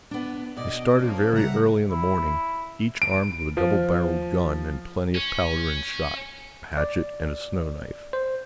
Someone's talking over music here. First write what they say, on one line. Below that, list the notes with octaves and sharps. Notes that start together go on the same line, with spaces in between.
They started very early in the morning, each armed with a double-barrelled gun and plenty of powder and shot, a hatchet, and a snow knife.
B3 D4
B2 D5 D#5
F3 A#3 C#4
C#3 G3 E5 F#5 A#5
E4
D7
F3
C#4
D5
C5